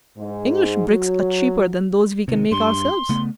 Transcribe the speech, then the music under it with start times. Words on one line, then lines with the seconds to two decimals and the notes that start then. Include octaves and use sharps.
English bricks are cheaper than those we can make ourselves.
0.17 G#2
0.88 F#3
2.28 C3 D#3
2.52 G2 C6
3.09 C#3 A3 B3